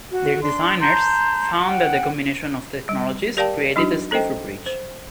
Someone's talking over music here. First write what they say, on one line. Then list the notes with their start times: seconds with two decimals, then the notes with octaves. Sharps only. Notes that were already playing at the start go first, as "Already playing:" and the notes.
Their designers found that the combination of technologies created a stiffer bridge.
0.11 F#4
0.41 D4 C6
0.80 A5 A#5 C6 G6
1.67 F#5 G5
2.89 G3
3.37 G4 A#4 D5 F5 G5 A5
3.76 F#3 D4 D#4 F#4
4.11 C#4 A4 C5 D#5 G5
4.66 C5